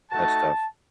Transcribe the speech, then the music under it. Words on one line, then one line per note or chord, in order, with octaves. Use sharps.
That's tough.
A3 D#4 F#4 A5